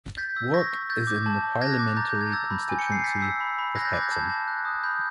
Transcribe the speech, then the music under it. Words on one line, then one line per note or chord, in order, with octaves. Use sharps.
Wark is in the parliamentary constituency of Hexham.
G6 A6 B6
E6
C#6 G#6 A#6
C#6
G6 A6
G#6
D6 G6
G#6
A5
A5
F#6 G#6 A#6
D6
A#5 G6 A6
G6
A#5
G#6
E6 G6 A6
B5
G#5
C#7
G6
C7
G6 A6 B6
E6
B5
B5
F#6 G#6 A#6
G6 A6
D6 G#6 A#6
G6 A6
A5 G#6
A5
F#6
D#6
B5 G6